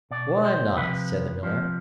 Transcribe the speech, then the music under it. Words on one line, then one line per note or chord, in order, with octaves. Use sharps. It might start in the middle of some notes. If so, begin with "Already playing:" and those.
'Why not?' said the Miller.
B2 D5
C5
C3 F3 B4
C3 F3